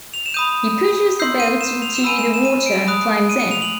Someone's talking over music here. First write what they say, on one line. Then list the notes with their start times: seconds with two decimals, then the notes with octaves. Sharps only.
He pushes the boat into the water and climbs in.
0.14 F7
0.26 E7
0.34 B5 D#6 G6 D#7
1.19 C6 E6 G6 C7
1.40 D#7
1.61 E7
1.82 F7
1.95 E7
2.04 G#5 B5 E6 D#7
2.19 E7
2.34 E7
2.45 D#7
2.66 D7
2.88 B5 D#6 F#6
3.29 D#7
3.40 D#7
3.51 F7
3.62 F#7